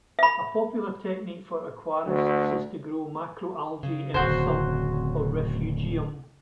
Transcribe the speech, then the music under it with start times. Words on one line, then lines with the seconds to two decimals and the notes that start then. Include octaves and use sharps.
A popular technique for aquarists, is to grow macroalgae in a sump or refugium.
0.19 E5 B5
2.06 D2
3.83 C#3
4.14 D1 F2 F#4 C5